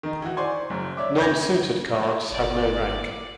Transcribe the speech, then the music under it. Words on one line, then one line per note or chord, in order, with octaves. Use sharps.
Non-suited cards have no rank.
D#3 D#4
E3 F#4
C5 D5 G#5 C6 C#6 G#6
F#1 F#2
C#5 D5 E5 D6
G6 G#6 A#6
G1 D5